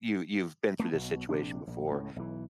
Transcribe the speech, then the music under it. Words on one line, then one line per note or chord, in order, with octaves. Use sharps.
you you've been through this situation before.
A3 B3
B1 B2
A#1 C3 D4
A#1
C#2 A2
B1 E3